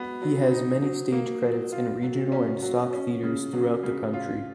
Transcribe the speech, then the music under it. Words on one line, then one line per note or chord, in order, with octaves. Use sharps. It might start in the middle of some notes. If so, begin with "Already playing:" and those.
He has many stage credits in regional and stock theatres throughout the country.
Already playing: F#3 B3
F#3
D#4
F#3
A#3
F#3
F4
F#3
C#4
F#3
C#4
C#3
F#3
C#3
F4